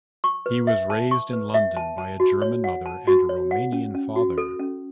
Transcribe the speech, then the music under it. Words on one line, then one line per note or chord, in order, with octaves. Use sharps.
He was raised in London by a German mother and a Romanian father.
C#6
B4
E5
A5
C#6
B4
E5
A5
A5
F#4
C#5
F#5
A5
F#4
C#5
F#5
C#4
C#4
F#4
A4
C#4